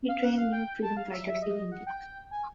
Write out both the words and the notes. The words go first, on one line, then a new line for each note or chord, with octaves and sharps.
He trained new freedom fighters in India.
F5
F#5
F5
G5
A5
F5
E5
E5
D#5
F#5
G5
G#5